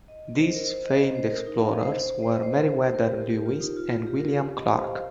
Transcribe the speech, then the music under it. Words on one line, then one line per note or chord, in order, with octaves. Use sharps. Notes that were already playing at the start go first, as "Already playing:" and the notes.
These famed explorers were Meriwether Lewis and William Clark.
D#5
C5
A#4
C5
D#5
C5
A#4
D#4
F5
D#5
C5
C5
C5
C5
D#5
C5
C5
C5
C5
A#4
G4
A#4
G4
F4
D#4
F4
G4
A#4
G4
D#5
C5
F5
F5